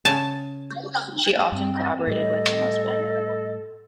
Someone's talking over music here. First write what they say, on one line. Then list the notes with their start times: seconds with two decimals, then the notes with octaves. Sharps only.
She often collaborated with her husband.
0.05 C#3 G#5 A5
1.52 G2 C4
2.07 A2 G3 A4 D#5